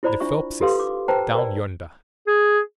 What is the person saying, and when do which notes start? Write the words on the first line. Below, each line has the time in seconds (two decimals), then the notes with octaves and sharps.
"The Phelpses, down yonder."
0.03 E4 F4 C5 D5 A#5 B5
0.20 D4 F4 E5 C#6
0.61 F4 G4 A4 B4 F5 C6
0.80 D6
1.08 B4 C5 G5 A5 A#5
1.35 A#4 D5
2.27 G#4